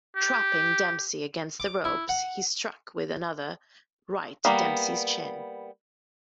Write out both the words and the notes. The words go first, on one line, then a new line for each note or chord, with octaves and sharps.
Trapping Dempsey against the ropes, he struck with another right to Dempsey's chin.
G4
D6
E4
F#5
G3 A#3 B3